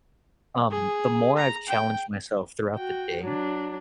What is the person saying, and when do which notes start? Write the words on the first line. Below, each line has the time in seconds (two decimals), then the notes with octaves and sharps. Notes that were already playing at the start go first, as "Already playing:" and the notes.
um, the more I've challenged myself throughout the day,
0.71 G#4
1.37 A#5
1.69 G5
2.76 F#4 G5
3.22 F#3 D4